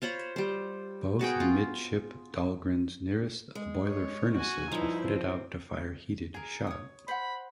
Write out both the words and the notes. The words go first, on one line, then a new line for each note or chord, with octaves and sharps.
Both amidship Dahlgrens nearest the boiler furnaces were fitted-out to fire heated shot.
F4 C5 C#5 B5
G3 C5
B3 F#4 G#4 G5
F4
G#3
C#5
F#4 G#5
G2 F3 D#4 E4
C4
G#4 A#4
C#5 D#6
C5 F#5 B5